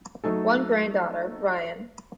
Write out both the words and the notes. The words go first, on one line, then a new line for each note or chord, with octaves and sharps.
One granddaughter, Ryan.
F#3 A3 D#4 A4